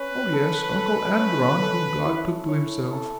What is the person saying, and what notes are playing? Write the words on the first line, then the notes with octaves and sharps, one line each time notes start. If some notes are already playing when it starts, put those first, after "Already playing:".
"Oh yes, Uncle Andron, whom God took to Himself."
Already playing: C#4 B4
A4
A4
C#4
A4
E4
C#5
A4